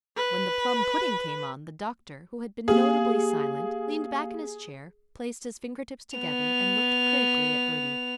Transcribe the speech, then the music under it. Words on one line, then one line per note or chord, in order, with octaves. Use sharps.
When the plum pudding came on, the doctor, who had been notably silent, leaned back in his chair, placed his finger-tips together, and looked critically at Bertie.
B4
A#3 G4 G#4 F5
B3 F7